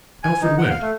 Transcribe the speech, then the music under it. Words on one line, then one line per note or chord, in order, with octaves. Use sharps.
Alfred went.
G#5
D#4
F#5
F5
A3